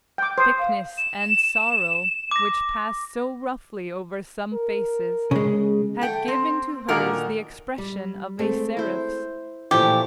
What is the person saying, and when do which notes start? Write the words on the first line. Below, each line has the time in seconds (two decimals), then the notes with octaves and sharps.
Sickness and sorrow, which pass so roughly over some faces, had given to hers the expression of a seraph's.
0.18 G5 D6
0.38 C5 D#6
0.58 F5
0.98 E7
2.31 D6 A#6
4.53 A#4
5.31 C#3 G#3
6.01 A3 G5
6.28 C4
6.88 A#2 D3 D#3 F#4 A#4
7.78 G3
8.39 G#3 A3 C4
8.77 E4 C5
9.71 A#2 E3 F3 A3 E4 G4